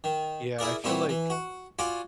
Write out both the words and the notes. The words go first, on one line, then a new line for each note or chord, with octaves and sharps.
yeah, I feel like
D#3
E4 G#4 A#4 D5
A#2 G3 C4 E4 F#4
E3
F#4
F4 F#4 D5 G#5 D6